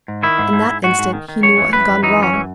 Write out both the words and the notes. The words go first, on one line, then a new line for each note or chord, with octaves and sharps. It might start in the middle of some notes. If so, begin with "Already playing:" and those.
In that instant, he knew what had gone wrong.
G#2
D#3 E4
G#2
G#2
G#2
G#2 F#4
G#2
D#3
D#3
F#2 C#5
E3
F#2 B4
F#2
E3 D#4
F#2 C#4
E3